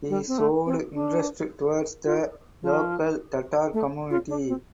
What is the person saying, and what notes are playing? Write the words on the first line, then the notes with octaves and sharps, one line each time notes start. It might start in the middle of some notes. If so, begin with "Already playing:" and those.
He showed interest towards the local Tatar community.
G3
C4
A3
C4
D4
F4
F3
A3
F4
D4
C4